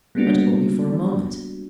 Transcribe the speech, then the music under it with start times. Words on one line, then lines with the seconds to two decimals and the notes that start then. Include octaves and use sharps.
But only for a moment.
0.15 G3 G#3 A#3 B3 D4 F#4